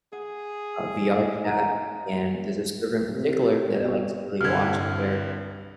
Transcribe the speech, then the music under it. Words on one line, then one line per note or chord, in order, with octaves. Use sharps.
uh, VR chat, and there's a server in particular that I like to really watch where
G#4 F#5
A#4 C5
C3
B2
C2 G2 D3 F6 G#6